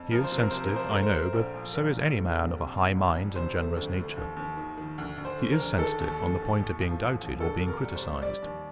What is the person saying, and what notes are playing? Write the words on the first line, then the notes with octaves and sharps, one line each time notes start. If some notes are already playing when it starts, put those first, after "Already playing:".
He is sensitive, I know; but so is any man of a high mind and generous nature. He is sensitive on the point of being doubted or being criticised.
Already playing: F2
F3 A#4
C5
C3
A#4
C3 C5
A#4
F3 C5
A3 A#4
C5
A3 A#4
A#1
F3
A#1 A#4
A#1
A3
A#1
C3
F2
G1
G1
C3 C5
A3
D2
A3
D#2
D#2
D#3
D#3
D2
D2
C5
D3
A#4
D2
D#3 A4
D#2
A3
D#2
A2
F3
A1
A1
D2 A4
C3
A#4
G3
C5
G3
G3 D5
D#2